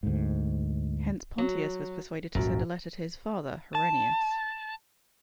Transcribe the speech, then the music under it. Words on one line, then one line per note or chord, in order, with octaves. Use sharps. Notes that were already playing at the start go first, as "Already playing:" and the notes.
Hence Pontius was persuaded to send a letter to his father, Herennius.
D2 G#2
F#3
D#1 G#1 F#2
A5